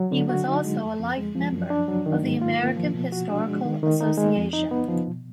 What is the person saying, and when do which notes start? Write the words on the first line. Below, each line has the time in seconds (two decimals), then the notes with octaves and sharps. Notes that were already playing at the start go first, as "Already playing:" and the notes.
He was also a life member of the American Historical Association.
Already playing: F#3
0.12 D3
0.29 F#4
0.47 D#4
0.65 G#3
0.82 F2
0.99 F2
1.17 G#3
1.35 F3
1.52 F#2
1.70 D4
1.88 F#3
2.06 D#3
2.24 G#2
2.42 F4
2.59 A#3
2.77 F3
2.94 B2
3.12 F#4
3.30 D4
3.48 G#3
3.65 D#3
3.83 D#3
4.01 D#4
4.18 G#3
4.36 F2
4.53 D#4
4.71 B3
4.88 F3
5.07 B2